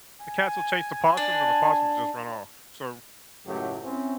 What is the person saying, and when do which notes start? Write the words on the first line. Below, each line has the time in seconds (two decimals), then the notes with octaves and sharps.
the cats will chase the possums and the possums just run off, so
0.21 G#5
1.17 D4
3.46 C#2 F#2 A2 F#3 A3 G4
3.84 C4 C#4 E4